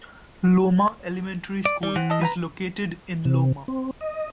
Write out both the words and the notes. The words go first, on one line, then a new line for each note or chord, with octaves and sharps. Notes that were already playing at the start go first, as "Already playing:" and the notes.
Loma Elementary School is located in Loma.
D5
G3 D5
E3 C4 F#5
A4 D#5
B4 G5 A#5
C3
C4
D#5